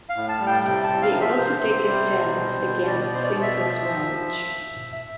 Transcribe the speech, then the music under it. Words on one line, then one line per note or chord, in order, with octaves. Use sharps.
They also take a stance against same-sex marriage.
F5
A2
A5
G3
G5
C3 G5
A5
C3
F5
F3
E5
C3 C5
C3
G3
B2
G3
B2
B2 D5
D5
B2 C5
D5
B2
E5
F3
F3